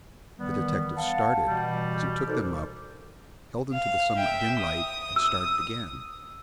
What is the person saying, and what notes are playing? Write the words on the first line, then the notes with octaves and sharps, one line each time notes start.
The detective started as he took them up, held them to the somewhat dim light, and started again.
D#3 E3 G3 B3
F5 F#5 A5
B2 E3 G3
D#4 F#4 A4 A#4 C5 D5
F5
E5 G5
D#6
E6